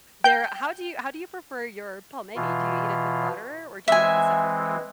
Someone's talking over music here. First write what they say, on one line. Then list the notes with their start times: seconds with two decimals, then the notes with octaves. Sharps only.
There How do you how do you prefer your pelmeni? Do you eat it with butter, or do you eat it with sour cream?
0.24 G5 G6
2.36 B2 E3 F4
3.88 E3 G#3 C4 E5 G#5